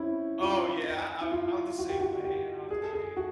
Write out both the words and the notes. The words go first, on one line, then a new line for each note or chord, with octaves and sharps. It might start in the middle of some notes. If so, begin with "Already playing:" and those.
Oh yeah, I'm I'm the same way, and I'm very
Already playing: C4 C#4 E4
F4
E4
F4
F#4
G4
F#4
G4
G#4
A4
G#4
F#4